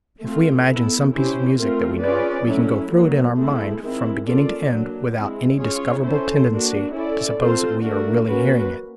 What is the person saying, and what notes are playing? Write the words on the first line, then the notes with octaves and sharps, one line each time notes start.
If we imagine some piece of music that we know, we can go through it in our mind from beginning to end without any discoverable tendency to suppose that we are really hearing it.
A3 C4 F4
B3 E4 A4
C#4 E4 G4 C5
A3 C4 F4 A#4
C#4 F4 G#4 B4 D5
F#3 A3 C#4 E4
D#3 F#3 A#3
F3 A3 C4 E4 G#4
D#3 G#3 C4 E4
A#3 C#4 F4 A4 D5
F#3 A#3 D4
G#3 C4 E4
C#4 F4 G#4 C#5
C#4 E4 A4 C5
A#3 D4 F#4
C#4 E4 A4 D5
C4 F4 A4 C5
A3 D4 F#4 A#4
A#3 C#4 F#4 B4